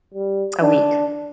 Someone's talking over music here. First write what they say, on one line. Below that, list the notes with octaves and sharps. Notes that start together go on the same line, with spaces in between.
A week.
G3
D4